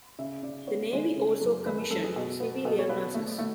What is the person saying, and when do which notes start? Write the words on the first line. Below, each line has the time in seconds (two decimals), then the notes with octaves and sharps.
The Navy also commissioned civilian nurses.
0.19 C#3 E5
0.43 C#3 D5
0.67 B3 C#5
0.93 G#3
1.17 C#3
1.42 F#2
1.66 G#3 B4
1.78 A4
1.90 F#2 A4
2.04 G#4
2.16 B2
2.40 B3
2.65 B2 A4
2.79 C#5
2.89 B3 B4
3.14 A3
3.38 A3